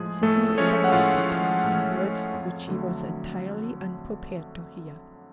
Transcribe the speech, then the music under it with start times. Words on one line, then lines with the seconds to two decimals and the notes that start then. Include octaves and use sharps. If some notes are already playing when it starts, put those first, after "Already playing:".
Sydney interrupted her, in words which she was entirely unprepared to hear.
Already playing: A2 F3 G#3 G#4
0.23 A2 A3 A4
0.58 F3 G#3 C#4 C#5
0.84 F#5
0.92 A2 F4 F5
1.28 F3 G#3
1.64 A2
1.97 F3 G#3
2.34 F2
2.67 D3 F#3 A3